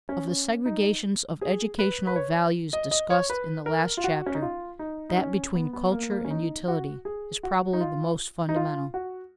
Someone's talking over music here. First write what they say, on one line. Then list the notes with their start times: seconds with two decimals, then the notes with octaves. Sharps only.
Of the segregations of educational values discussed in the last chapter, that between culture and utility is probably the most fundamental.
0.09 C#4
0.28 C#4
0.66 D#4
1.41 G#4
1.79 B4
2.07 B4
2.16 C#5
2.73 D#5
2.91 D#5
3.10 C#5
3.30 B4
3.66 A#4
3.97 F4
4.04 F#4
4.26 C#4
4.35 D#4
4.42 F4
4.79 D#4
5.10 D#4
5.18 C#4
5.55 B3
5.73 B3
5.92 A#3
6.11 A#3
6.25 C#4
6.30 D#4
6.68 F#4
7.05 G#4
7.43 F#4
7.73 D#4
7.81 F4
8.49 D#4
8.56 F4
8.94 F#4